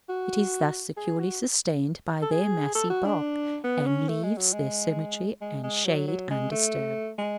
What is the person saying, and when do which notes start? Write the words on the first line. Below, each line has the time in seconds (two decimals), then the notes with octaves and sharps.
It is thus securely sustained by their massy bulk, and leaves their symmetry and shade undisturbed.
0.09 F#4
0.97 G#4
1.19 F#4
2.22 A4
2.31 G#4
2.75 A4
2.90 F#4
3.05 D4
3.64 B3
3.86 C#4
4.09 A3
4.24 G#3
4.37 F#3
4.53 G#3
5.41 G#3
5.63 G#3
5.85 F#3
6.07 F#3
6.31 G#3
6.52 A3
7.18 G#3